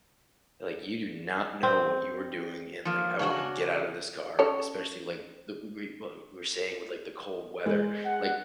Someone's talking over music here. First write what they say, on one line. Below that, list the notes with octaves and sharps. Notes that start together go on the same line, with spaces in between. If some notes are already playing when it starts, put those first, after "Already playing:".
like, "you do not know what you are doing," and, like, "I wanna get out of this car," especially, like, the wa wa what you were saying with, like, the cold weather, like,
C4
F3 A#3
C#3 C#4 D4 F#4
C#4 A4 C#5
G#3
F#5